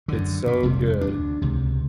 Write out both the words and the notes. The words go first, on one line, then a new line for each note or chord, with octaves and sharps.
it's so good.
F#2 D3
A#2
F1 F2 C3 G3
D2 D4
C#2 C3